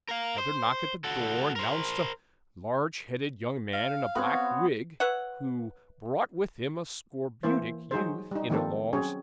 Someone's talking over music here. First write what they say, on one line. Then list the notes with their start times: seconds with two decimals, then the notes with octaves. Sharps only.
Another knock at the door announced a large-headed young man in a black wig, who brought with him a scorbutic youth in a long stock.
0.09 A#4 F5
0.38 C5
1.04 F#4 A4
1.56 A#4 C5
3.74 F5
4.15 B3 C4 F#4 C#5
5.00 B4 C#5 E5 F#5
7.43 E3 A#3 E4 C5
7.91 F#3 D#4 G#4 C5
8.31 G3 D#4
8.50 D#3 F3 G3 A#3 C4 A4
8.93 F#3 C4 C#4 G#4 C#5